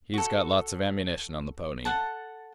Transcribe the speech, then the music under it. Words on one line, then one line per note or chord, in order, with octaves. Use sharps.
He's got lots of ammunition on the pony.
F#4 A4
A4 F#5 A5